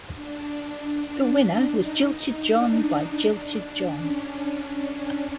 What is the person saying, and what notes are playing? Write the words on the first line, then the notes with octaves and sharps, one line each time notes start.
The winner was Jilted John by Jilted John.
D4
D#4
D4
C#4